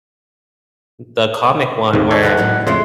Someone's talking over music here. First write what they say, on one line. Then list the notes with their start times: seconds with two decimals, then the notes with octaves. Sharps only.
the comic one where,
1.93 D#2 G#2 C3
2.11 A4 C#5 D5 G#5
2.23 C3 E3 F3 F#5
2.37 F#1 F#2 A2 F#3
2.67 F2 C#3 G#3 A3 F#4 C6